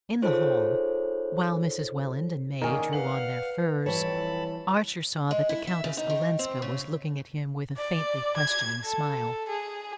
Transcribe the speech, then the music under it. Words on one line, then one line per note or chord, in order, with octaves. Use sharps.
In the hall, while Mrs. Welland and May drew on their furs, Archer saw that the Countess Olenska was looking at him with a faintly questioning smile.
D#4 F4 G#4 A4 C5 C#5
D#3 A#3 C#4 D#4 G#4 A#4 D5 G#5
B4 F5 F#5 F6 F#7
F2 E3 G3 C#5 A5 B5
G#3
E4
E5
C#3
D#4
D#3
C4
C#3
D5
G#6
A4
G#4